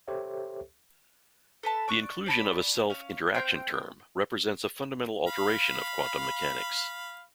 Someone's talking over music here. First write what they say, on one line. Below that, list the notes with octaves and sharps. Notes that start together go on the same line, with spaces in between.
The inclusion of a self-interaction term represents a fundamental alteration of quantum mechanics.
G4 A4 C5 C#5 E5
A4 B4 A5
D5 C#6 F#6
D5 A5 B5
C#4 F5
C4 F5 G5 C6
F5 B5